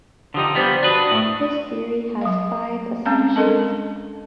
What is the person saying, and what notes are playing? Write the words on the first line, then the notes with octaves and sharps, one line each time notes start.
His theory has five assumptions.
D3 F3 D#4 G4 D#6
F3 G3 B3 G4 C5
D4 F#4 B4 D#6
A2 A3
F#3 F5
G#3 C4 C#4 F5 A#5
G#3 D4 A4 A#4 D#5 A5